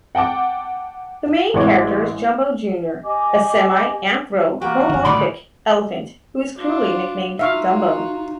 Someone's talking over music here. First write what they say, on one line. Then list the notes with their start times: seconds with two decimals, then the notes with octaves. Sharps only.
The main character is Jumbo Junior a semi-anthropomorphic elephant who is cruelly nicknamed "Dumbo".
0.15 F#5 G5 A5 D6
1.54 A1 E3 G#3 C#5 D6
3.04 G4 D#5 G#5 D6
4.61 E2 A#3 F#4 G4
4.90 F#1 D#3
5.05 D2 A2 D#3 G3 G#3 D#4 D5 B5
6.57 D4 F4 F#4
7.39 D#4 F4 F#4 E5 F5 C#6